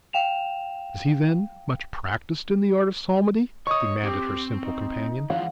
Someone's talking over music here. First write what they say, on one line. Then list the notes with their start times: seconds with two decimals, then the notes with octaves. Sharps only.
"Is he, then, much practiced in the art of psalmody?" demanded her simple companion.
0.13 F5 G5 E7 F7
3.67 C#5 D#5 C#6 D#6
4.03 C4 G4
4.62 D#4
5.30 E3 F3 F#5